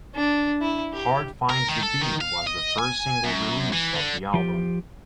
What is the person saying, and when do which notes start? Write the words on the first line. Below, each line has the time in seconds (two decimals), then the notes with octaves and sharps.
"Heart Finds the Beat" was the first single released off the album.
0.15 D4
0.61 E4
0.93 G4
1.50 A#4
1.69 D#3
1.83 A4
2.01 D#3
2.21 F5
2.47 D#5
2.79 G#5
3.24 F#2
3.73 E3
3.95 D3
4.34 F3 G4